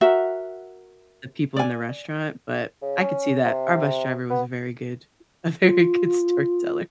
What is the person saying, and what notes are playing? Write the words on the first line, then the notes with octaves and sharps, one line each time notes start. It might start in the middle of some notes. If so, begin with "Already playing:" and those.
the people in the restaurant, but I could see that. Our bus driver was a very good a very good storyteller.
F#4 A#4 E5 F#5
D5 G#5
C#3
C#4
C3
B3
F4